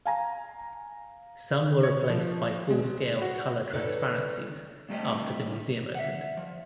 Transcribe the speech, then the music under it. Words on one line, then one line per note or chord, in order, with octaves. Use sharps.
Some were replaced by full-scale color transparencies after the museum opened.
F5 G#5 A#5
C#5
F3
G#3
F#4
D#4 A4 B4 C#5 D5
D2 G2 C3 A3 G4 D#5
E5 F#5
F3